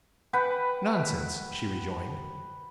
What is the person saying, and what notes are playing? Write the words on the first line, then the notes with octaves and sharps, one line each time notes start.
"Nonsense," she rejoined.
B4 F#5 G5